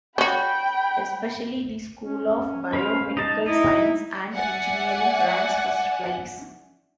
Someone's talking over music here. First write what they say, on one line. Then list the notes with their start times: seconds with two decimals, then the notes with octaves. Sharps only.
Especially the School of Biomedical Science and Engineering ranks first place.
0.18 C#4 F#4 G5 B5
2.03 C#4
2.73 B4 C5 F5
3.17 D#4 A5
3.46 D#4 E4 D#5
4.35 D5 E5 F#5 G#5